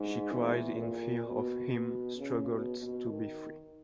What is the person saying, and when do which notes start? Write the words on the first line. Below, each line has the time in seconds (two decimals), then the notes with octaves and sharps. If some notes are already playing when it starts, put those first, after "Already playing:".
She cried in fear of him, struggled to be free.
Already playing: G#2
0.31 E2
0.78 A#2
1.23 B2
1.70 B2
2.16 C#3
2.47 B2
2.78 B2
3.09 D#3